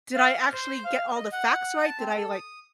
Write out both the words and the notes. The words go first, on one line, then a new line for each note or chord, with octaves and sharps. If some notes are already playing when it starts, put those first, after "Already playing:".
did I actually get all the facts right? Did I, like
F5
F6
C5
F5
D#5
F#5
A5
C4
A4
D#6